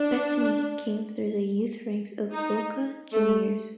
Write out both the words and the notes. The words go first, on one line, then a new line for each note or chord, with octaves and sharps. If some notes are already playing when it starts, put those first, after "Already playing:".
Bettini came through the youth ranks of Boca Juniors.
Already playing: D4
D#4
A3